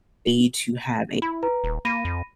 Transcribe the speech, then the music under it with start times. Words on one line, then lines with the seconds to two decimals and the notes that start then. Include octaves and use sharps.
stage to have a
1.22 E4 B5
1.43 B4 A#5
1.64 D#1
1.85 A#3 B5 A#6 D#7
2.05 F2